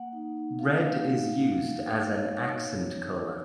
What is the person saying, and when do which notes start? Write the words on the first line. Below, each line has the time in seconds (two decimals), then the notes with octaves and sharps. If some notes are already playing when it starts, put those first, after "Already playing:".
Red is used as an "accent color".
Already playing: A#3 F#5
0.13 D#4
0.37 D#4
0.59 F#4 F5
0.83 A#3
1.06 D#4
1.29 D#4
1.53 A#3
1.75 F#4
1.99 F#4 C#5
2.22 A#3
2.45 D#4
2.68 D#4
2.91 B3
3.15 F#4